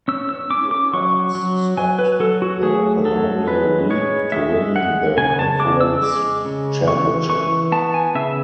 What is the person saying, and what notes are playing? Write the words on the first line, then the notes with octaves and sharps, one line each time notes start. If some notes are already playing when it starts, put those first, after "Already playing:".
The Leopards swept the Colonial League to win the conference championship.
C#4 E6
E6
C#4 D6
D6
F#3 C#6
F#3
F#3 G#5
B4
F#3 A4
F#4
A3 G#4
F#3 A4
G#3 B4
G#3 C#5
G#3 E5
G#3 F#5
C#3 G#5
A5
G#3 D6
E6
G#3 D6
C#3
E3 C#6
E3 C#6
B3 A5
G#5
C#3 E5